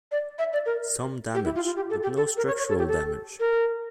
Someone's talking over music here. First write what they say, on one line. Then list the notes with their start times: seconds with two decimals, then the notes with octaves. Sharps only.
Some damage, but no structural damage.
0.12 D5
0.39 E5
0.53 D5
0.66 A#4
1.34 G4
1.45 E4
1.55 F4
1.66 F4
1.76 G4
1.90 A4
2.03 G4
2.16 A4
2.37 A#4
2.47 C#5
2.58 C#5
2.69 A4
2.78 G4
2.88 A4
3.40 A#4